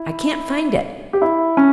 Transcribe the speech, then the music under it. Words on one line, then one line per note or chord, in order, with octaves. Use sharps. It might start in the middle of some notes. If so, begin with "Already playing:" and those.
I can't find it.
Already playing: E4
G4
E4
C#4